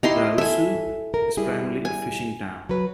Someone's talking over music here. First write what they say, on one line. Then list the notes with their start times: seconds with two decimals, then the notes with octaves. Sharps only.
Rausu is primarily a fishing town.
0.03 D#4 E4 G4 C6
0.38 A4 E5 G#5
1.14 A#4
1.37 G3 E4 G#4
1.85 G#5
2.69 F#3 B4